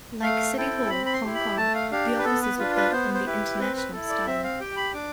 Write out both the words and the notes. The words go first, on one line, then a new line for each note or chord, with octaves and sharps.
Like City Hall, Hong Kong, the offices were built in the International style.
A3 F5
C4 E4 A4 G5
C4 B5
B5
C6
E4 G4
B5
A3 A5
F5
D4 G4 F5
B4
B3 A4
B4
D4 F4 B4
B4
B3 C5
C5
E4 G4 B4
C4 B4
B4
E4 A4
D5
C4 E5
F5
G4 G5
B5
D4 D6